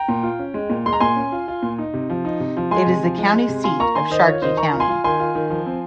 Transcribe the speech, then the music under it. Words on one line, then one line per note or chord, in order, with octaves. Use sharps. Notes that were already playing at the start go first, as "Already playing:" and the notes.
It is the county seat of Sharkey County.
Already playing: G5 A#5
A#2
F4
C#4
G#3
A#2
G#3 C6
A#5
A#2 G#5 C6
C#4
F4
F4
A#2
D#4
C3
F3
D#4
C3
F3
G#3 G#5 C6
C3
F3
G#3
G#3
C3
F4 G#5 C6
A#3 A#5 C#6
D#3 G#5 C6
D#3 C5 D#5
F4 C#5
D#3 C5 D#5
D#3 A#5 C#6
F4
G#5 C6
F4
D#3 G#5 C6
F4
D#3
F3
C4